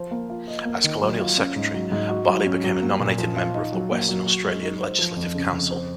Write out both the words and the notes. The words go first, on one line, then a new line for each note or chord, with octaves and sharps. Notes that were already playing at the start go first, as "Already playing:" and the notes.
As colonial secretary, Barlee became a nominated member of the Western Australian Legislative Council.
Already playing: F3 C5
A#3
F4
D#5
A#3
D#3
F#3
F4
C#4
G#2
F#3
G#2
F#4
F#3
C#4
F#3
A#3
A#2
F3
F4
D#4
F#3
A#3
F#3
F#4
G#3
D#4
C5
F3
F2
C#3
F2
C5